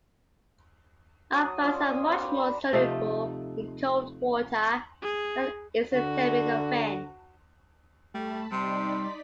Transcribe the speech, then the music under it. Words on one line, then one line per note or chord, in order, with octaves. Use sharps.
Opiates are much more soluble in cold water than acetaminophen.
F#3 A#5 D#6
C#4 F4 D5 F5
D#6
A#3 C4 D4 F#4
B4 D5
A#5
C3 F3 A3 D#4
G#4
D3 F#4
G3 A3 A5 B5
C3 G3 D#4 D5 C6 B6